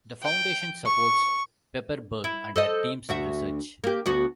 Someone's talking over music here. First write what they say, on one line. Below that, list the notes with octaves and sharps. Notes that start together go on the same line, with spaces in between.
The foundation supports Pepperberg and her team's research.
G5
C#6
E4
A4 C5 D#5
D2 F#4 E5
A#3 G4
D2 B3 F#4